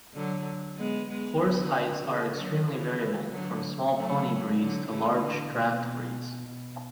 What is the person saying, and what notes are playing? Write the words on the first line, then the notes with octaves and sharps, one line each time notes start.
Horse heights are extremely variable, from small pony breeds to large draft breeds.
D3 F#3
G#3 B3
G#3 B3
D3
C#3 E3
D3 F#3
C#3 E3
D3 F#3
F#3 A3
D3 F#3
C#3 E3
D3
B2
B2